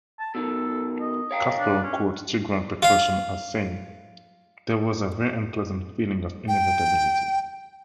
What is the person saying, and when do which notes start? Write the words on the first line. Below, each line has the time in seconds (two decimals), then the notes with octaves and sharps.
Kasparov quotes Tigran Petrosian as saying, There was a very unpleasant feeling of inevitability.
0.19 A5
0.35 B2 D#3 A4
1.01 D#5
1.31 C#5 F5 G5
1.59 D4
1.83 C#4
2.82 F4 F5
6.48 G5